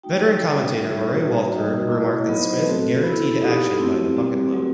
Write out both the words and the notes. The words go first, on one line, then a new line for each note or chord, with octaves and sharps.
Veteran commentator Murray Walker remarked that Smith "guaranteed action by the bucket-load".
A3 D#4 F#4 G5
G3 D#4 F#4
G3 D#4 F#4 E5
G3 D#4 F#4
G3 D#4 F#4 D#5
A3 E4
F#3 B3 D#4 F#4 D#5
C5
B4
A3 C4 F#4 A4
B3 E4
A4
B3 D#4 F#4 G4
A3 C4 E4
G3 C4 F#4
F#3 A3 C4 F#4